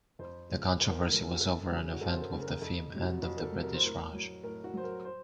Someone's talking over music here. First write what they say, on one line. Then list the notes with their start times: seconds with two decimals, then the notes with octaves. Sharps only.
The controversy was over an event with the theme "End of the British Raj".
0.19 F2 C5
0.50 C#3 F3
0.80 F2 C5
0.90 A#4
1.01 A4
1.10 C#3 F3 A#4
1.31 F#4
1.40 F#2 A4
1.71 C#3 F#3
1.93 F#4
2.01 F#2 A4
2.11 C5
2.21 A#4
2.31 C#3 F#3
2.42 A#4
2.61 F2 A4
2.92 C3 F#3
3.02 F#4
3.22 F2 F#4
3.37 A#4
3.42 A4
3.52 C3 F#3
3.62 A#4
3.74 C5
3.83 A2 A#4
4.13 F#3
4.43 A2 A#4
4.64 F#4
4.74 F#3 C5
4.84 A#4
5.05 C5